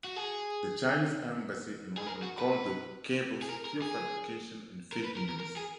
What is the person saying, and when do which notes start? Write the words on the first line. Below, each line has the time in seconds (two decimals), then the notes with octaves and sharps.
The Chinese embassy in London called the cables "pure fabrication" and "fake news".
0.04 F#4
0.16 G#4
1.97 G#4
2.07 A#4
2.23 F#4
2.39 B4
3.42 G#4
3.49 A#4
3.65 A#4
3.82 G#4
4.93 A#4
5.04 B4
5.17 A#4
5.29 A#4
5.40 A#4
5.57 G#4